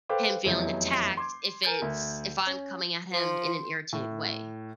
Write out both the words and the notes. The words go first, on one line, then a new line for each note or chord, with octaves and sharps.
him feeling attacked if it's if I'm coming at him in an irritated way.
A4 B4 C5 F5 G5 D6
F1 E2 F#3 E4 G6
C6 D6 G#6
A#4 G#5 G6 A6
D2
C#4
F3 C6
A2